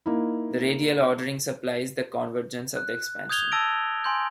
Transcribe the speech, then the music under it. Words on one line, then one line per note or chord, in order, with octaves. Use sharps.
The radial ordering supplies the convergence of the expansion.
A#3 D#4 E4
F#6
D#6 G6 G#6 F7 G7
A5 E6 A6 A#6 D7
G#5 C6 G6